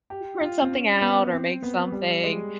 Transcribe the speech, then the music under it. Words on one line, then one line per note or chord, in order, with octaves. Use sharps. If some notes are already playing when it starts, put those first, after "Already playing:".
print something out or make something
G4
F4
C4
C#4
B3
C4
B3
G3
G#3